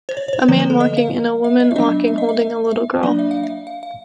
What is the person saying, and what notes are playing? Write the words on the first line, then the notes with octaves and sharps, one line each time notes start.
A man walking and a woman walking holding a little girl.
C5
C#5
C#5
C5
D3 F3 A#3 B4
B4
A4
D#5
F5
E5
D#5
E5
F#3 B3 D4 D#5
E5
D#5
E5
E5
E5
F#3 A#3 D4 D5
E5
F5
E5
F5
F5